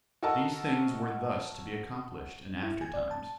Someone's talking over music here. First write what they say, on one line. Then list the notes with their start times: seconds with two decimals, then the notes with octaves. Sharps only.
These things were thus to be accomplished in after times.
0.23 F#4 A4 A#4 D#5 A5
2.63 E4
2.81 G#5
2.94 D5
3.11 A5